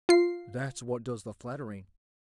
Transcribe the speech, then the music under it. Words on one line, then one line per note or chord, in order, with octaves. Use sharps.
That's what does the flattering.
F4 C7